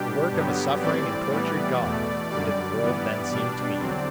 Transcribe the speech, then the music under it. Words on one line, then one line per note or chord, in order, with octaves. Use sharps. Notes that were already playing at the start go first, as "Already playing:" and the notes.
The work of a suffering and tortured God, did the world then seem to me.
Already playing: B2 G3 D4 G4
G2 D3 F#3 B3
A2 E3 G3 C4 D5
A2 E3 G3 B3
E2 B2 A3
F#2 D3 G3 D5
G2 E3 G3 B3
B2 G3 D4 D5
E2 D3 F#3 C4